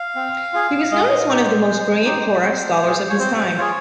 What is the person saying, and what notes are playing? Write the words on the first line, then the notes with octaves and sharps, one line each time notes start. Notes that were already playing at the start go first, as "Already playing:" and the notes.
He was known as one of the most brilliant Torah scholars of his time.
Already playing: F5
C4
F4 G#4
G#3 D#5
D#4 G4 C5
G#3
D#4 G4
C4
F4 G#4
C#5
C4 C5
F4 G#4 C#5